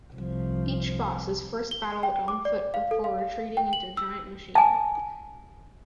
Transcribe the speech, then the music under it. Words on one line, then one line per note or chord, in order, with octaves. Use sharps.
Each boss is first battled on foot before retreating into a giant machine.
C2 F3
G7
G5
D6
D5
F5
A4
F5
G5
F#7
E6
G#5 A5